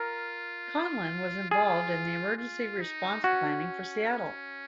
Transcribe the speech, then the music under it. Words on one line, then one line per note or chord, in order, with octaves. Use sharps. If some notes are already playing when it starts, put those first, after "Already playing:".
Conlin was involved in emergency response planning for Seattle.
Already playing: F4 A#4
F4 G#4
F4
D#4
C#4 F#4